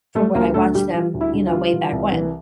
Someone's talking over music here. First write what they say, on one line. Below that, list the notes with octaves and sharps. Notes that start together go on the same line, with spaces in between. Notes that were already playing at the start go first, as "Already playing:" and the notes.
from when I watched them, you know, way back when.
G3 A3 A4
D2 A#3 A#4
D3 A3 A4
G3 G4
G3 F4
D2
E4
D3
F4
G3
E3
C2
E3